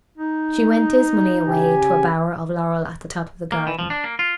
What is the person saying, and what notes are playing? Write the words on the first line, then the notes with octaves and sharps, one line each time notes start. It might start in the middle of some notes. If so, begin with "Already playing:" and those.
She went dismally away to a bower of laurel at the top of the garden.
D#4
C#3 G4 G#5
A#3
E3
F3
D4
A#3
F4